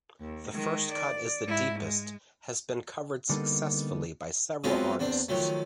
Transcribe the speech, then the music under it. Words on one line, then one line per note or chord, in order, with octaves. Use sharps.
"The First Cut Is the Deepest" has been covered successfully by several artists.
D#2
D#3 G#3
D5
G#2 E4
G#3
D3 G3 A#3 B3 D#4 A4
F#3 G#3 B3 C4 E4 F4
E2 C4 D4
D#3 F3 F#3 A3